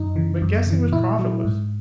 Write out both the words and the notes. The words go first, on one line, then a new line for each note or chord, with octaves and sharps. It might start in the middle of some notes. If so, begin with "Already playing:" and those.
But guessing was profitless.
Already playing: F#2 D#4
C#3 E3
F#2
C#3 E3
A#2 E4
F#3
G#2